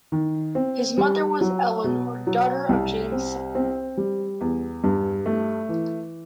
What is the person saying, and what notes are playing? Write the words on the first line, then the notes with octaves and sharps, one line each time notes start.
His mother was Eleanor, daughter of James Sutton.
D#3
C4
G3
F#3
B2
F#3
C2
C4
C4
G3
E2
G2
A3
E3